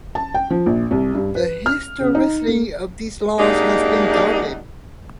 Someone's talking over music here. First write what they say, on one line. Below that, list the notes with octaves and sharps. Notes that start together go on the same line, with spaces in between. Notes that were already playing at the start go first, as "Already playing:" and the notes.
The historicity of these laws has been doubted.
A5
G5
F3
A#1
C2
G2
B4
F6
C#3
D#4
A#3
F#2 G#3 A#3 D4 D#4 G4